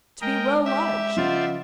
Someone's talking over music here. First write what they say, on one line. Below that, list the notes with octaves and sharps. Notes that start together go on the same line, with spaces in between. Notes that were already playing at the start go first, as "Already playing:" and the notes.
To be well lodged!
G#3 A#4 D#5 G5
G4 E5
C#3 F3 F4 C5 D5 D#5 F5 F#5